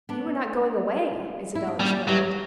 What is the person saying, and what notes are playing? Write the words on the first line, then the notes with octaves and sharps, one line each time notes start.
"You're not going away!" Isabel exclaimed.
B3 D4
E4
D4
G3 A#3 C#4
E3 F#3 G3